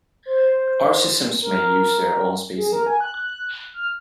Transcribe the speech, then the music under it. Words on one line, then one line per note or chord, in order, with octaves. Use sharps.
Other systems may use their own spacing.
C5
A#4
G#4
A#4
G#5
F#6
F#6
F6